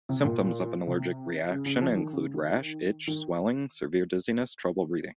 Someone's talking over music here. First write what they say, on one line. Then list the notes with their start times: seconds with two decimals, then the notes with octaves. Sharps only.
Symptoms of an allergic reaction include rash, itch, swelling, severe dizziness, trouble breathing.
0.09 C3
0.25 A#2
0.87 C3
1.51 C#3
1.66 C#3
1.81 F3
1.97 D#3
2.13 C#3
2.24 C#3
2.34 D#3
3.07 D#3